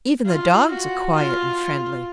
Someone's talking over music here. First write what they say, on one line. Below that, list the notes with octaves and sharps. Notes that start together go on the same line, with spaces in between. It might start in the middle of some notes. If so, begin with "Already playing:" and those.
Even the dogs are quiet and friendly.
F4
F#4
F4